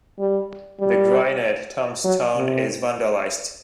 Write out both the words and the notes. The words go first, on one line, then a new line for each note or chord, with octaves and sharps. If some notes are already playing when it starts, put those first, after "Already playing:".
The granite tombstone is vandalised.
G3
G3
F#3
C3